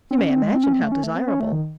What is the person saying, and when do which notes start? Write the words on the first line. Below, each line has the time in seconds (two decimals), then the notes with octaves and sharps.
You may imagine how desirable!
0.11 C4
0.18 C#4
0.30 C4
0.42 G#3
0.55 C4
0.64 C#4
0.73 C4
0.82 A3
0.92 C#4
1.03 A3
1.15 C4
1.28 C#4
1.40 A3
1.52 D#3